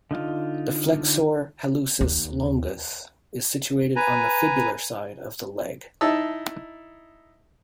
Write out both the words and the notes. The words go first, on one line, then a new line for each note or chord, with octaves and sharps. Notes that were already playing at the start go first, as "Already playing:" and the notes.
The Flexor hallucis longus is situated on the fibular side of the leg.
D3 D#4 F4
D#2
B4 G#5 A#5
D#4 E4 A5 E6